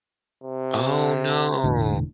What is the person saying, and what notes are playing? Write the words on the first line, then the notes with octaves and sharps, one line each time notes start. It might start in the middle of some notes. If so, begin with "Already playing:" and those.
Oh, no.
C3
E1 A2 D3